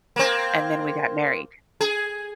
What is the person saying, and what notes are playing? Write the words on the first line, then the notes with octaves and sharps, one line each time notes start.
and then we got married.
A#3 C4
G#4